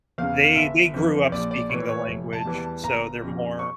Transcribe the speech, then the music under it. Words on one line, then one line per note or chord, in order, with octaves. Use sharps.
they they grew up speaking the language, so they're more
E2 C#3 F5
G1 E5
F2 C#3 E3
A#1 D5
D5
A2 E3 C#5
C#5
F1
A5
E2 E3 G3
A5
G1 A#5
F2 C#3 G3
C#6